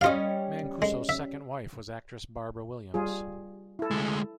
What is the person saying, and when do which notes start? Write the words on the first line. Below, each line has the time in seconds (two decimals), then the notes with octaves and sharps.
Mancuso's second wife was actress Barbara Williams.
0.01 G3 C#4 F4 D#5 F5
0.82 G#3
1.09 E5
2.94 G3 F4 G#4
3.79 E4 A4
3.91 D2 G#3